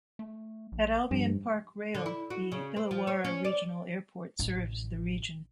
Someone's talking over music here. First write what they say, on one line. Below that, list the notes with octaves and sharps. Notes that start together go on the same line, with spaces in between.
At Albion Park Rail the Illawarra Regional Airport serves the region.
A3
A#1
G2 F3
D3
E4
F#4
C#3
C4
F3
C#5
C#4
D5
A1 C3